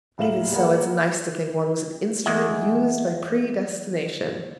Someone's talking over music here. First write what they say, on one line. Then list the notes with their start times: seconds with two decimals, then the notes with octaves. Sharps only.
But even so, it's nice to think one was an instrument used by predestination.
0.18 D#1 A2 E5 F5 E7 F#7
0.51 G3 A#3 B3 G#4 A#4 F#5
2.26 E2 G#3